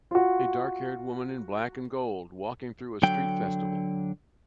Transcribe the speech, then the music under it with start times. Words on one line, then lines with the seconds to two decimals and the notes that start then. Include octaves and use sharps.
A darkhaired woman in black and gold walking through a street festival.
0.11 F4 F#4
3.03 D3 F#3 G5